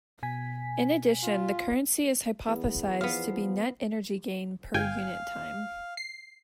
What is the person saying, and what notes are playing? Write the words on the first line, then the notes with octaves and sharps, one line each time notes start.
In addition, the currency is hypothesized to be net energy gain per unit time.
B2 G#5 B6
F4
E2 B3
F3 B3 F5
G1 F5 G5 G#5
C7